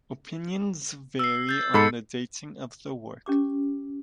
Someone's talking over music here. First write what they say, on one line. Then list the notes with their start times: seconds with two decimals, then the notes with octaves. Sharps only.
Opinions vary on the dating of the work.
1.19 E6 C7
1.49 G6 A6
1.74 G#2 A4 B5 A6 C7 C#7
3.26 C#4 G4 D6